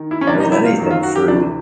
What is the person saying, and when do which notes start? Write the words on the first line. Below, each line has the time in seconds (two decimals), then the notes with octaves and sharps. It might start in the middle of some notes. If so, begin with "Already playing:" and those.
I mean, anything free.
Already playing: D#3
0.11 E4
0.21 C#4
0.27 C2 C3 E3 D4
0.40 D#4
0.52 E4
0.65 F4
0.78 F#2 D#3
0.90 F4
1.03 F#4
1.16 G4
1.28 D2 C3 E3 D4